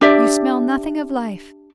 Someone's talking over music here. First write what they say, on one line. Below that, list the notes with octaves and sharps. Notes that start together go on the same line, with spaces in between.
You smell nothing of life.
D4 G4 D5 E5